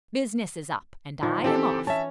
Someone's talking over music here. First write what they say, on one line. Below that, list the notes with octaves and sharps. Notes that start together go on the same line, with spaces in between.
"Business is up and I am off!"
A#2 D#3 F3
E3 C4 G4 A4
C#4 E5 A5